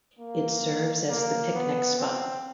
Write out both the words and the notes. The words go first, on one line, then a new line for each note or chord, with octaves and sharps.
It serves as the picnic spot.
A#3
A#3
B3
C4